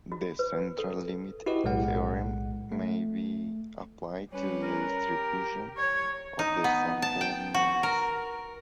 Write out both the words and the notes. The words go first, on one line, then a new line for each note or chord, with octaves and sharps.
The central limit theorem may be applied to the distribution of the sample means.
F#4
B4
A4
E4 F#4 G4 B4 D#5
B1 A2 G#3 F#5
A3
G3 C#4 B4
A#4
G4
C#5
D#4
B3
A5
G5
F#4
A#4